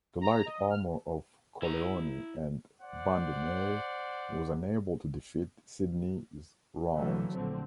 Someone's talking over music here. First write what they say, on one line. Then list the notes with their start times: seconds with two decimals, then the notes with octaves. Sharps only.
The light armour of "Colleoni" and "Bande Nere" was unable to defeat "Sydney"'s rounds.
0.21 A#5
0.46 D#5
0.70 F6
1.62 E4 A#5
2.82 C5 D5 F#5
6.94 D3 E3 F#3 A3 A#3
7.34 A#1 D3 C4